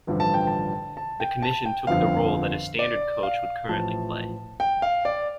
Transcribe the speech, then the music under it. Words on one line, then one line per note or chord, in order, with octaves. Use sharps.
The Commission took the role that a standard coach would currently play.
A1 G2 D3 F3
A5
G5
A5
A5
G5
A5
G5
G1 F2 D3 F3 F5
D5
F5
A1 A2 F3 A5
G5
F5
D5